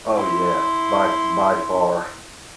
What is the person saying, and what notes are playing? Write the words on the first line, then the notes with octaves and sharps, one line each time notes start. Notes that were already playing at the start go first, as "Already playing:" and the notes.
Oh, yeah. By by far.
E4 C6